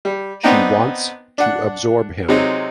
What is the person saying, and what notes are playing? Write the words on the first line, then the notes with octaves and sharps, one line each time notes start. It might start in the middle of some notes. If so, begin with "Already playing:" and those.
She wants to absorb him.
G3
B3 C4 D4 D#4 G5 A#5
D4 F#5
C3 F#3 G#3 C4 D#4